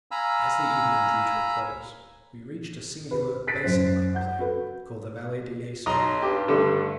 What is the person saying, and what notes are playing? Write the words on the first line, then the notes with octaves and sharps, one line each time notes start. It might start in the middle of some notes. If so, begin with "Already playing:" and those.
As the evening drew to a close, we reached a singular basin-like plain, called the Valle del Yeso.
F5 G#5 A#5 B5 E6
B4
F#6 A6 B6 C7 D7
F#2 C5
F#5 G6
F#4 A4 B4
B1 D#5 A#5 C6
G2 G4
D3 G3 A3